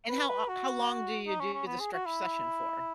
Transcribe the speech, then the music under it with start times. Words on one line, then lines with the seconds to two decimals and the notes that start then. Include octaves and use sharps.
And how o how long do you do the stretch session for?
0.09 B4
0.29 B4
0.49 F#4
1.27 D#4
1.41 C#4
1.54 C#4
1.66 B3
1.80 G#4
1.93 F#4
2.06 E4